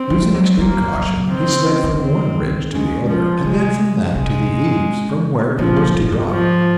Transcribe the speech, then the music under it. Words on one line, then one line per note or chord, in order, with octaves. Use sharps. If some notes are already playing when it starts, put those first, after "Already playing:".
Using extreme caution, he slid from one ridge to the other, and then from that to the eaves, from where he was to drop.
Already playing: C4
F3
F#3
F#3 A#3
F#3
D#3 C4
C#3
D#3
D#3
C4
C#3 G#3
C3 F3
C3 G#3
C3 G#3
A#2 F3
A#2
A#2
G#2
F3